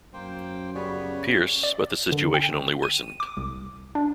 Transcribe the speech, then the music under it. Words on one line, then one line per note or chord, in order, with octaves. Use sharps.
Pierce, but the situation only worsened.
F#2 A#3 C5 G5
C#3 G3 B3 B4 C#5
D5
D3
G5
D#7
D6
C2
D4